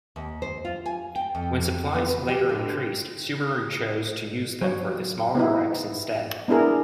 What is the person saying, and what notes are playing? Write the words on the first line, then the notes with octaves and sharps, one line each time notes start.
When supplies later increased, Subaru chose to use them for the smaller Rex instead.
D#2
C5
F4
G#5
G5
F2
B3
B4
G4
D3
F#3 C#5
B3 D#4 E4
B3 D4 E4 G#4 A#4